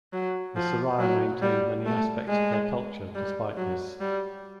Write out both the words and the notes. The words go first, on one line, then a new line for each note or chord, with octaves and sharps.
The Siraya maintained many aspects of their culture despite this.
F#3
F3
F#3
G3
A3
G#3
G3
F#3
G3